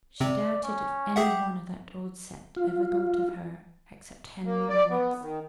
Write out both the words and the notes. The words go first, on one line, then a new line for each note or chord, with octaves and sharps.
She doubted if any one of that old set ever thought of her, except Henry Lennox.
C3 C4 D5
C#4
G4 G#4 E5 F#5
F4
A#3
D5
B3
D#3